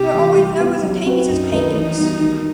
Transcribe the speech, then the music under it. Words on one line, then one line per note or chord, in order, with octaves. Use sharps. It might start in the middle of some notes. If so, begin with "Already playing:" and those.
There are always numbers in Tapies’s paintings.
Already playing: C3 G4
E3 A3
G3
B3 E4 G4
F#3
C4 F#4 B4
F#2 D#4
D#3 A3 E4 B4
E3
G3 B3 F#4
D#3